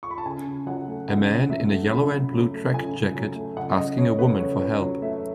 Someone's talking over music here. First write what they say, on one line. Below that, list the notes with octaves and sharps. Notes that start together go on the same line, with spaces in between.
A man in a yellow and blue track jacket asking a woman for help.
C#6
B5
A5
C#3 G#5
C#3
F#3 F#5
A3
C#3 F#5
C#3
F#3 E5
A3
C#3 B5
C#3
F#3
A3
C#3 G#5
C#3
F#3
A3
C#3 F#5
C#3 D#5
F#3 C#5
A3 B4
C#3 C#5
C#3 B4
F#3
A3 E5